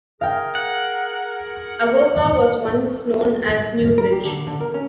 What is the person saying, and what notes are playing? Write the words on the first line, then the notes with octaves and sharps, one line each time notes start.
Avoca was once known as Newbridge.
G#4 A#4 F5 G5
F#5
A#4
G4
D3
D3
A#4
C#4